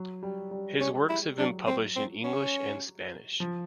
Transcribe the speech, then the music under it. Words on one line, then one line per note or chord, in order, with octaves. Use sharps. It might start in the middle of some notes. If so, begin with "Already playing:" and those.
His works have been published in English and Spanish.
Already playing: F#3
G3
G3
G#3 C#4
E4
F#3 D4
C4
C4
C#4
F3